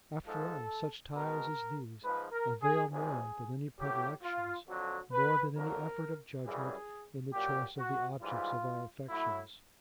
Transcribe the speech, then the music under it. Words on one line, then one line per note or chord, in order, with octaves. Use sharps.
After all, such ties as these avail more than any predilections, more than any effort of judgement in the choice of the objects of our affections.
G#2 F3 G#3 A4
B2 G#3 A#4
G#2 F3 G#3 B4
A#4
G#4
E2 C3 F3 G#3 G#4
A2 F#3 G4
F4
F2 D3 F#3 F#4
B4
F2 D3 F#3 A#4
F#2 C#3 E3 G3 G#4
A#2 F#3 G4
F#4
G#2 E3 G3 F4
A2 F#3 E4